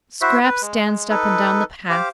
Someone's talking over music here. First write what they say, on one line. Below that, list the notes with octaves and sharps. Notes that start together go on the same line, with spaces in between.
Scraps danced up and down the path.
E4 F#4 C5 E5
B4
G#3
D#4 A4 B4
G4 C5 F5 D6